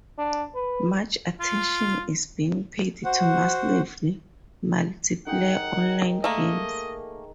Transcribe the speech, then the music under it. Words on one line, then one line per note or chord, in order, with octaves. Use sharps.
Much attention is being paid to massively multiplayer online games.
D4
B4
F4
F#4 C5 F#5
D#3 G#4 F#5 G5
A3 A#3 D#5